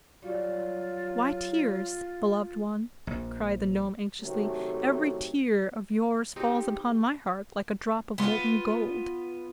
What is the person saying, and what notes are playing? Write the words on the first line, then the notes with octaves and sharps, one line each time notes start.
'Why tears, beloved one?' cried the gnome anxiously; 'every tear of yours falls upon my heart like a drop of molten gold.
F#3 G3 F4 F#4
A#1
C3 D#3 F#3 A3
C4 D#4 G4 G#4
B3 F4